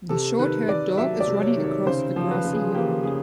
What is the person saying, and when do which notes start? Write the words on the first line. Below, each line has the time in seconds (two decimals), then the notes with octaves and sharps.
The shorthaired dog is running across a grassy yard.
0.09 C3 A4
0.39 D#3 B4
0.68 C3 D5
0.97 F#3 E5
1.20 D5
1.27 C3
1.42 C#5
1.57 D#3
1.64 C#5
1.86 C#3 C5
2.16 F3
2.31 B4
2.45 C#3
2.53 G#4
2.74 A#3 G4
3.03 C#3 G#4